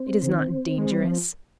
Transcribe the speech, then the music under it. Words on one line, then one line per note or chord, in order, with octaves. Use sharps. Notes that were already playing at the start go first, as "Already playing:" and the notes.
It is not dangerous.
Already playing: C4
C#3
D#3
G#3
G3
F3